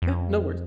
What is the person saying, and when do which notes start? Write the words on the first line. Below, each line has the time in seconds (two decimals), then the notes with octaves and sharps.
Yeah, no worries.
0.02 F2